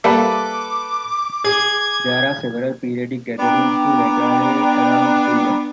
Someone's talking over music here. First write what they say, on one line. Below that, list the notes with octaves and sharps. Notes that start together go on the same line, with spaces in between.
There are several periodic gatherings for raggare around Sweden.
G3 A#3 A4 B4 E5 D6
G#4 G#6
B3 D4 G5 A#5